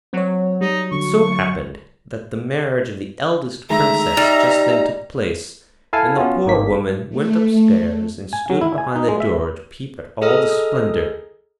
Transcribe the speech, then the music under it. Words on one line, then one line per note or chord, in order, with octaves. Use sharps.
It so happened that the marriage of the eldest Princess just then took place, and the poor Woman went upstairs and stood behind the door to peep at all the splendour.
F#3 C4 C#5
G3 D#4
D3 C#6
D#3 G#3 A3 E5 A#5
G3 D#4
E4 A4 F5 G#5 A5
B3 C#4 F4 F#4
G#1 D#3 A#3 B6
A3
G#5
F#3
E4
G#5
D#4
G#3
E5
G#4 A4 D#5 A#5 D#6 F6